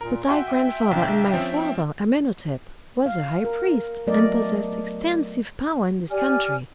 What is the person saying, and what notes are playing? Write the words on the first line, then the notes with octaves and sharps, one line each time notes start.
"But thy grandfather and my father, Amenhotep, was a high priest, and possessed extensive power in this country."
A#2 A#4
F#4 E5 G5 G#5 C6
B1 D3
F3 C4 C#4
F5
A#4
F#3 A3 B3 A#4 D5 D#5
G4 D5 G#5 F6